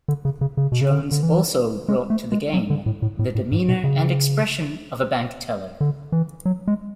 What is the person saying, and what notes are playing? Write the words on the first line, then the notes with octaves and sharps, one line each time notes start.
Jones also brought to the game the demeanor and expression of a bank teller.
D3
C#3
C#3
C#3
B2
C#3
D3
D3
E3
G#3
A3
G#3
F#3
D3
A2
A2
A2
A2
G#2
B2
C#3
D3
E3
F#3
G#3